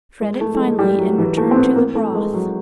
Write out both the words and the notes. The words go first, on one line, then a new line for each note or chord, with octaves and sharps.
Shred it finely and return to the broth.
G#3
A3
A3
G#3
G3
F#3
E3
A3
C4
B3
A#3
A3
G#3
F#3